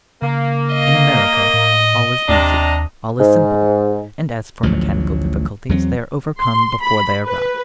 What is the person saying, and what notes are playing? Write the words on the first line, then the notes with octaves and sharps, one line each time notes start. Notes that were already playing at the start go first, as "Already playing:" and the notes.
In America, all is easy, all is simple; and as for mechanical difficulties, they are overcome before they arise.
C#3 A#3
D#5
A2
D#2 C3 D4 A#5
G#2
A1 D2 F3 F#3
E2 F#3 G#3 C4
C6
B5
B4